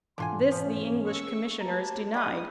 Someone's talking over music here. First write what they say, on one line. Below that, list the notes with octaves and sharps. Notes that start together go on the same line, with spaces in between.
This the English Commissioners denied.
G#2 B2 D3 E3 F4 G#5 C6
F3 C#4
C#6 E6
G4 B4 A5 A#5
G3 D#4 D#5 B5 C#6 D#6